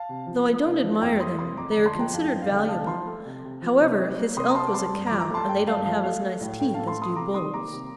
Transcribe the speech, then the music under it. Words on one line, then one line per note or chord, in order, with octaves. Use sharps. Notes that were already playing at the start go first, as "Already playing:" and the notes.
Though I don't admire them, they are considered valuable; however, his elk was a cow, and they don't have as nice teeth as do bulls.
Already playing: F5 A5
C3
F3
A#3
C3
F3
F2 G5 A#5
A#3 C6 D#6
C3 C6 D#6
F2 A#5 D6
A#5 D6
D3
A5 C6
F3 G5 A#5
F2 F5 A5
F2 G5
F5
D3 G5
C3 F5 A5
F3 A5 C6
A3
C3
C3
F3
C3
G3
A#3
C3 C6 D#6
A#5
C3 A5 C6
D6
G3 A5 C6
G2
F3 A#5 D6
A#5 D6
A3 A5 C6
G2 G5
G2 F5 A5
F3 F5 A5
A3 F5
A3
A2
A2 G5
F5 A5
A3
A5 C6
A3 C6 D#6
D#6
C3 A#5 D6
D#3 C6 D#6
A#3 A#5 D6
C3